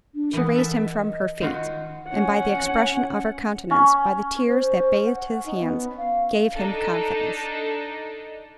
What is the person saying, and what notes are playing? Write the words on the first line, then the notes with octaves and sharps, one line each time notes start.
She raised him from her feet, and by the expression of her countenance, by the tears that bathed his hands, gave him confidence.
D4
E3 B3 A#4
A4 E5
D#5
D#3 F4 F#4
C#4 F#5
C#4
C5
F#5
D#4
B3
F5
D4 D#4 A4